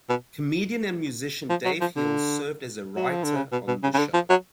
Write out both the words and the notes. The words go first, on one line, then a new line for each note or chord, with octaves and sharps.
Comedian and musician Dave Hill served as a writer on the show.
B2
F3
F#3
F3
D3
F#3
F3
D3
C#3
B2
B2
C#3
C#3
D3
F3
F#3